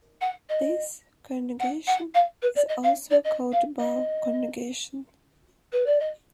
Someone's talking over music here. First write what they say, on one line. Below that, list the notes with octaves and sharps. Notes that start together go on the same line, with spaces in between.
This conjugation is also called bar conjugation.
F#5
D#5
F#5
F#5
F5
B4
D5
D#5
F5
D5
D#5
F5
D#5
B4
D5
D#5